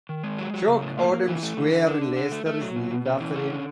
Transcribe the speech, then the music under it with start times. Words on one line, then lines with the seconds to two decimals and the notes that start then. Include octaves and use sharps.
Shaykh Adam Square in Leicester is named after him.
0.09 D#3
0.23 G#3
0.38 F#3
0.54 F#3
0.68 C#3
0.83 A2
0.98 A#3
1.13 A#3
1.28 E3
1.43 A3
1.57 E3
1.72 D3
1.87 D4
2.02 D3
2.17 D3
2.32 A3
2.46 A3
2.61 F#3
2.76 B2
2.91 B2
3.05 C#4
3.20 E3
3.36 C#4
3.50 D3